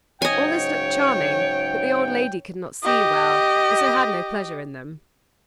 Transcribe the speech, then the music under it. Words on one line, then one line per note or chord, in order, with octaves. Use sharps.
All this looked charming, but the old lady could not see well, and so had no pleasure in them.
G#2 C#3 F#3 C#5 D#5 G5 G#5
G4 D#5